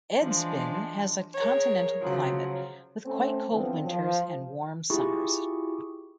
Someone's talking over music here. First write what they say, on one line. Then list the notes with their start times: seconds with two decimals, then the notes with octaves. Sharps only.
Edsbyn has an continental climate with quite cold winters and warm summers.
0.18 E3 F3 G#3 D4
1.34 G#4 A#4 C#5
2.00 C#3 F3 F#3
3.06 A3 C4 C#4
3.50 D3 E3 F3 B3 C4
3.85 F3
4.90 E4 F4 G4 G#4 C#6